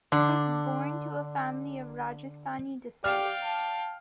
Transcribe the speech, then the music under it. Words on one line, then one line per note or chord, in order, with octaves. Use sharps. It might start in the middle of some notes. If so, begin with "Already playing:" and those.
He was born to a family of Rajasthani descent.
D3 D4
G4 D5 F5 G5 F6
A5